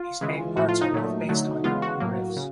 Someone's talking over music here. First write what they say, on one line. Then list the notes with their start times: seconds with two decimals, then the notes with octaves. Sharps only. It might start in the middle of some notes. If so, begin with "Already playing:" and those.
These main parts are both based on their own riffs.
Already playing: F4
0.21 C#3 E3 G#3
0.57 A2 F3 A3 F#4
0.69 F4
0.81 D#4
0.94 A#2 F#3 A3
1.29 D3 F#3 A3
1.64 C#3 E3 G#3 B3 F4
1.82 F#4
2.00 A2 F#3 A#3
2.36 C#3